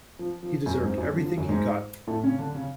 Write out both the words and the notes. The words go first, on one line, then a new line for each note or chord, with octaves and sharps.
He deserved everything he got!
F3
F3
F#2 F#3
G#2 G#3
F#2 F#3
D3
F3
F#2 F#3
G#2 G#3
A2 A3
C#3 C#4
D3 D4
C#3 C#4